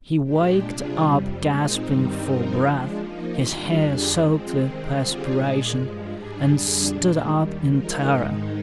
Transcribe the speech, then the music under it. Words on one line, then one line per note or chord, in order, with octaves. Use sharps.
He waked up, gasping for breath, his hair soaked with perspiration, and stood up in terror.
A#2 G#3 D4 G4
C3 G3 D4 F4 G#4
F2 C3 G3
A#2 G#3 C4 D#4
G2 D#3 G3 C4 D#4
G2 F3 C4 D#4 A#4
F3 G#3 D4
F3 A#3 D#4
D#3 G3 D4 F4
F2 D3 G3 D4 G#4
F3 G#3 C4
C3 D#3 G#3 C4
D3 G3 C4 F4 G#4
A#2 G#3 D4 G#4
G2 F3 G#3
G#2 G3 D4 G#4
F2 D3 G3 D4 G#4
A#2 G#3 D4
D#2 D#3 G3
F3 G#3 D#4 A#4
G#2 D#3 G#3 D#4